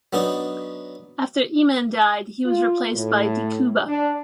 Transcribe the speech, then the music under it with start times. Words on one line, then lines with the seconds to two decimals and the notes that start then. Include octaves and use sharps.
After Eman died he was replaced by De Cuba.
0.13 F#3 B3 D4 D#4
2.46 F4
2.96 A2
3.87 D4